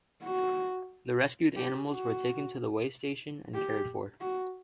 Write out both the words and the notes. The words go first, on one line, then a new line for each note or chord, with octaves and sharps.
The rescued animals were taken to the Waystation and cared for.
F#4
G4
F#4
G4
F#4